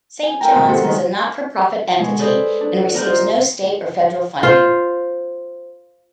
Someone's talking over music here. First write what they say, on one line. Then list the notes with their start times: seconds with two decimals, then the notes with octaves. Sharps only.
Saint John's is a not-for-profit entity and receives no state or federal funding.
0.23 G#5
0.41 E4 A#4 B4 G5 A#5
0.53 G#2 B2 D#3 B3 C4 D#4
0.69 A#3 B3 F#4 G4 A4 C5
0.83 D#3 G#3
1.98 B2 G#3
2.18 G#4 A4 B4 C5 D5 D#5
2.61 D4
2.94 B3 A#4 D5 A#5 F#6 G6
3.06 F4 C5 D#5
4.43 F4 C5